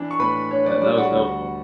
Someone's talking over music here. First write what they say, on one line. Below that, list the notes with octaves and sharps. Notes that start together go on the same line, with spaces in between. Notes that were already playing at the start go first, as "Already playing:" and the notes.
That that was helpful.
Already playing: E3 D4
C#6
A2 B4 B5
D4 C#5
D5
G3 D5
F#4 F#5
D2